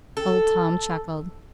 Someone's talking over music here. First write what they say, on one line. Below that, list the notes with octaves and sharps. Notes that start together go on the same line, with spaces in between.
Old Tom chuckled.
A4